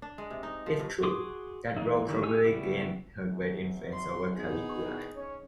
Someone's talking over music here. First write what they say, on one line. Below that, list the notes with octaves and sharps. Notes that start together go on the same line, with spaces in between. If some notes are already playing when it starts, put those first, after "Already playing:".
If true, that role probably gained her great influence over Caligula.
D4
G#3
C3
D#4
F3
G2
F#4 G#4 C6 D6 D#6
E3 G#3 A#3 D#4 E4
D#3 E3 G3
A#3 D#4 G4 G#5 E6
C#3 G3 B3 E4 G4
G#1 F#2
C6
B3 D#4 G#4
E2 B2 D#3
C#4 C#5